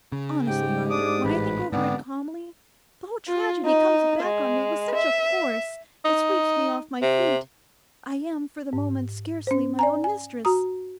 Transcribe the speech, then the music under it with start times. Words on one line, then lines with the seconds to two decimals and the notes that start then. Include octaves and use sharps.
Honestly, Arthur, when I think over it calmly, the whole tragedy comes back on me with such a force it sweeps me off my feet; I am for the moment scarcely my own mistress.
0.12 C#3
0.47 G#2 G4 G5
0.90 D4 D6 D#6
1.25 A1 B4
1.72 G#2 D3 B3 C4 D4
3.26 F4
3.64 D#4
4.22 G#3
4.94 E5
6.05 D#4
7.02 C3
8.73 G#2
9.47 C#4 C5
9.79 D5 G#5 A#5
10.04 G#5
10.45 F#4 A#5 D#6